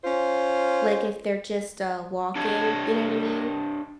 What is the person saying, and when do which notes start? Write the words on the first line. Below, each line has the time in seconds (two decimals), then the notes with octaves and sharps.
like, if they're just, uh, walking, you know what I mean?
0.04 C#4 F4 C5
2.35 D4 G4 C#5 D#5